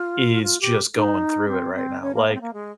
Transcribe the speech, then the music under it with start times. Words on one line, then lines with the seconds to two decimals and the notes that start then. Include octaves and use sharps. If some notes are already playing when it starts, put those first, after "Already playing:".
is just going through it right now, like
Already playing: F4
0.43 F4
0.60 G4
0.95 D#4
1.48 C4
1.74 C4
2.01 C#4
2.14 A#3
2.28 A#3
2.34 C4
2.41 A#3
2.53 G#3